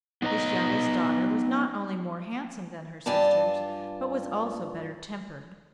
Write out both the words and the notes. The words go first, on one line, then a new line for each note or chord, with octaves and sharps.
This youngest daughter was not only more handsome than her sisters, but was also better tempered.
B3 D#4 B4 D#5 A#5
G2 F4 D5 G#5 A5